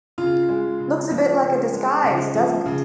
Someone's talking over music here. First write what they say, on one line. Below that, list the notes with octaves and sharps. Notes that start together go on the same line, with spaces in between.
Looks a bit like a disguise, doesn't it?
C#3 F4
G#3
C#3
F3
C#3
G#3
C#3 D#4
F3
C#3